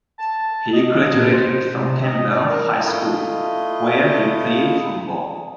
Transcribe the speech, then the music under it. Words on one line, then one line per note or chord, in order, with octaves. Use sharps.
He graduated from Campbell High School, where he played football.
A5
D#5
A#2
C5
C3
D#5
D5
A#4
A3 E4 F4 D#5